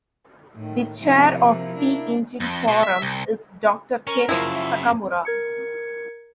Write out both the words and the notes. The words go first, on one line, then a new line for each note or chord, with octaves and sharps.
The chair of T-Engine Forum is Doctor Ken Sakamura.
A2 D#3
C3 F3 A#3 E4
D4
F2
B2
E5
C2
C#4 A#4
F#2 C#3 F3 E4
E5
A#4 G#6 C#7